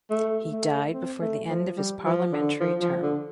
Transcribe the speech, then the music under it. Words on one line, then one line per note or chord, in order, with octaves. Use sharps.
He died before the end of his parliamentary term.
A3
A3
C4
A3
F3
G3
F3
D3
F3
F3
D3